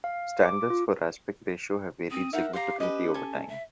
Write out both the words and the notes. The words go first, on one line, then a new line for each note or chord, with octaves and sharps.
Standards for aspect ratio have varied significantly over time.
F5
D6
F4
C4 D#6
D#4 A#4 E5 F#5
G4 F5 A#5 C6
C#4 B4 D#5
A4 G#5
E5